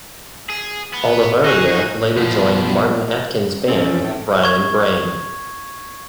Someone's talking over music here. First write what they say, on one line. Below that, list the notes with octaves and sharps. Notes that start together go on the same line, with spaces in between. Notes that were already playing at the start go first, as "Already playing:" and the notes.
Olavarria later joined Martin Atkins' band Brian Brain.
G#4
B3
D#4 F#4 G#4
B2 F3
E2 G3 A3 C4 C#4 G#4
G#2
C#6 G#6